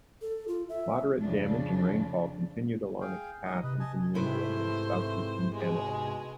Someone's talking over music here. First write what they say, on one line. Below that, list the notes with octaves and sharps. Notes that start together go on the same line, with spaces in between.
Moderate damage and rainfall continued along its path into New England and southeastern Canada.
A4
F4
E5
F2 C#3 F3 D4
G#4 F5 G5
D#4 D#5
C3 B4 D#5
D#5 G#5 A5
G#2 C3 A3 E4 B4 C5
B2 G#3 G#4